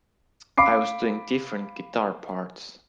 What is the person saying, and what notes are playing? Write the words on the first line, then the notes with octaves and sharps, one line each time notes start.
I was doing different guitar parts.
F5 B5 D6 C7